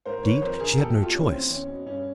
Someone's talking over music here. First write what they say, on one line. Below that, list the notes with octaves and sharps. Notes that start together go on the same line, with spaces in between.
Indeed, she had no choice.
G#2 A#4 C5
D#3 B4 C#5
F2 A#4 C5
D3 G#4 A#4
E2 G4 A4
G4 A4
B2
F4 G4
A2 C#4
E3 C4
E2 C#4
B2
G2 C#4